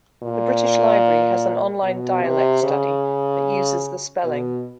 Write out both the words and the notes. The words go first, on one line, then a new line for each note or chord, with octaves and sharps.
The British Library has an online dialect study that uses the spelling.
A#2
B2
C3
C#3
B2